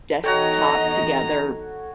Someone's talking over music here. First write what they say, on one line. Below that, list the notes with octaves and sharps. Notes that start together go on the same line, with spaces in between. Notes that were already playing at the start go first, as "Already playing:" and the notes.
desktop together,
E2 D#4 F#4 A4 C#5 D#5 G5 A#5